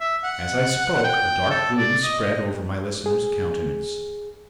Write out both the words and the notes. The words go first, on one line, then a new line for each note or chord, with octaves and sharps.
As I spoke, a dark gloom spread over my listener's countenance.
E5
F#5
G5
A4
D5
D#5
G#4